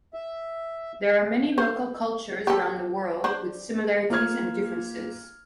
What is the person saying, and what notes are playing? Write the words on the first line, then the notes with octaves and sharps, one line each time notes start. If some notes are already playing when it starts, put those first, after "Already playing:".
There are many local cultures around the world, with similarities and differences.
E5
C5
G4 A4
D4 C5
A#3 F4 C5 F6 G#6